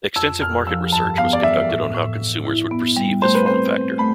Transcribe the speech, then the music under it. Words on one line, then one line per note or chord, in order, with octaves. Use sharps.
Extensive market research was conducted on how consumers would perceive this form factor.
F2 E6
F2 F6
F3 E6
G2 A5
B3 F5
D5
E3 E5
A2
A2
A2
E4
B3
G3
A3 C5
B4
C4 C5
C4
A3 B5